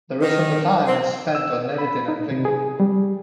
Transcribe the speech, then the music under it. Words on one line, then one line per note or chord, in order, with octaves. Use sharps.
The rest of the time is spent on editing and thinking.
D#3
C4
E6
B5
D#4
C3
G#4
G3